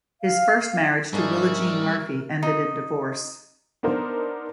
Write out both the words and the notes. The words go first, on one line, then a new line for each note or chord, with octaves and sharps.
His first marriage to Willa Jean Murphy ended in divorce.
F5
G#2 G3 D4 G#4 A#4 E5 C#6
D#4
B3 D4 D#4 A#4 C5